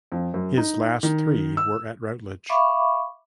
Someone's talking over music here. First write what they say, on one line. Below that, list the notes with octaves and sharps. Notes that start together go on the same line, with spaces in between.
His last three were at Routledge.
F2
F#2
D#4
D#3
E6
E5 F5 B5 C#6 D6